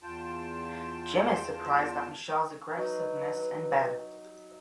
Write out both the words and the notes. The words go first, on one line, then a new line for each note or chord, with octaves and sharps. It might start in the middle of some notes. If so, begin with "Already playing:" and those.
Jim is surprised at Michelle's aggressiveness in bed.
E2 F4 G5 A5
F#3 D#4 B4